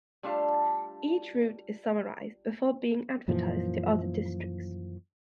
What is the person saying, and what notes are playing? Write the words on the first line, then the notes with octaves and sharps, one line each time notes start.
Each route is summarized before being advertised to other districts.
G3 A3 D4 F4 F5 A5
F#2 A#2 E3 F3